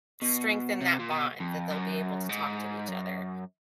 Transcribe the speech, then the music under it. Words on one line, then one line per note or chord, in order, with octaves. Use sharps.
strengthen that bond that they'll be able to talk to each other.
B2
C3
A#2
B2
F2
F#2
G#2
F#2